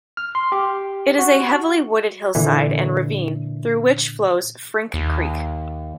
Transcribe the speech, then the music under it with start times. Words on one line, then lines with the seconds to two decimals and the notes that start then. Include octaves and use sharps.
It is a heavily wooded hillside and ravine through which flows Frink Creek.
0.17 F6
0.35 C6
0.52 G4
1.19 F#4
2.35 A#2 D3 E3
4.94 D#2